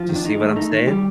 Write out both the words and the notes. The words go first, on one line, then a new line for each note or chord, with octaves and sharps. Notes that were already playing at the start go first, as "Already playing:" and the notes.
Do you see what I'm saying?
Already playing: F3 F4
D#3
D4
D#3 D#4
A3
A3 D#4
D#3
D#3 G3 G4